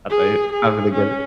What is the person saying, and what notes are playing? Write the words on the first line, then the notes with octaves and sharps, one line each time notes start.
uh, they I don't really get it.
G#4
G#4
C#4